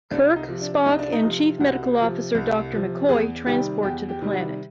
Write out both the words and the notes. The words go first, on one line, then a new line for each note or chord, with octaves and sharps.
Kirk, Spock, and Chief Medical Officer Doctor McCoy transport to the planet.
C2 D4
D#4
C3 F3
D4
C2 D#4
D4
D#4
C3 F3
C2 F#4
C3 F3
C2
C3 F3
E2 G#4
C3 D#3 G3 G4
E2 G4
G4
C3 D#3 G3
F#4